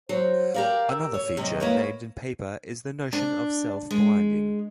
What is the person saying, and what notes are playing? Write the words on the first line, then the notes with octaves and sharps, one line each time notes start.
Another feature named in paper is the notion of self-blinding.
F#3 C5
G4 A#4 D5 F5
E6
C#5
F#2 C3 D#5
A#3 E4 B4 C#5
D4
G#3